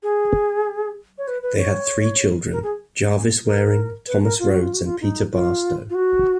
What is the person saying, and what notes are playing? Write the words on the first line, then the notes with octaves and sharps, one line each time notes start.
They had three children: Jarvis Waring, Thomas Rhodes, and Peter Barstow.
G#4
C#5
B4
B4
C#5
A#4
G#4
A#4
B4
A#4
F4
F#4
F4
F#4
F4
D#4
F4
F4
F#4